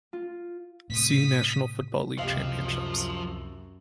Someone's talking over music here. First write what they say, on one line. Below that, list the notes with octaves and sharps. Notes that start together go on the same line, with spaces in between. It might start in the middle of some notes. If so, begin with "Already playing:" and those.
See National Football League championships.
F4
A2 C3 D#6 B6
C#2 F#2 C3 F3 G4 D#5 F5 E6